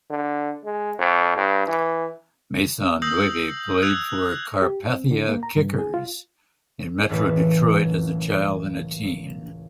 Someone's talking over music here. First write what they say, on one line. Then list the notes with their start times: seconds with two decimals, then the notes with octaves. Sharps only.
Maisonneuve played for the Carpathia Kickers in Metro Detroit as a child and teen.
0.10 D3
0.65 G#3
0.99 F2
1.37 G2
1.68 E3
3.02 D#6 E6 G6 A#6 C7 F#7
3.82 E6 F#6 G#6 F7
4.62 G4
4.89 C4
5.11 D3
5.29 A#3
5.43 A#5
5.56 G2
5.79 G#4
5.94 F4
7.09 F#1 C#2 A2 E3 B4